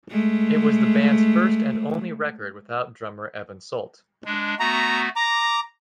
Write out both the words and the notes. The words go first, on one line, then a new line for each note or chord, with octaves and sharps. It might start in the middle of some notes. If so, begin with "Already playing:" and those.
It was the band's first and only record without drummer Evan Sult.
G#3 A3
G#3 D4
A3 B3 F#4 A#5
A#5 D6 A#6